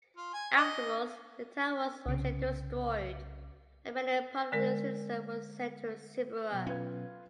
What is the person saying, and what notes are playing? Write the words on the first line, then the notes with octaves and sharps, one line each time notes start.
Afterwards the town was utterly destroyed and many prominent citizens were sent to Siberia.
F4
G#5
D#5
C2 C#3
D3 G#3 A#4
B2 F#3 B3
C#4 F4 B4 G#6